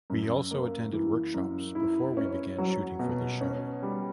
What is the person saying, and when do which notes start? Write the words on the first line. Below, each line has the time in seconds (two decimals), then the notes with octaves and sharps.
We also attended workshops before we began shooting for the show.
0.10 F#2
0.51 A#3
0.93 E3
1.34 F#2
1.75 E4
2.17 C#4
2.58 F#3
2.99 B2
3.41 C#4
3.83 G3